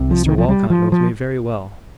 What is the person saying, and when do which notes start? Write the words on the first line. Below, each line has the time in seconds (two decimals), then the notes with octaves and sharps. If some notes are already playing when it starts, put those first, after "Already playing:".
Mr Walcot knows me very well.
Already playing: C2 C3
0.11 F3
0.26 D#3
0.38 F3
0.49 G3
0.70 F3
0.92 F3